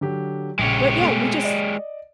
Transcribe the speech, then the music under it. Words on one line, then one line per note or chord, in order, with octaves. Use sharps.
but, yeah, we just
D3 F#3 G4
A#1 C#3 G#3 G4 C#5
B2 A3
D5 D#5